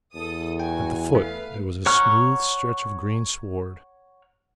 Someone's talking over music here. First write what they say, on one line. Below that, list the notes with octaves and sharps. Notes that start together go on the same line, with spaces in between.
At the foot there was a smooth stretch of green sward.
E2 A4 D#6
F#4 G5 G#5
A3 B4 F5
C#5 F#5 A#5 C#6 F6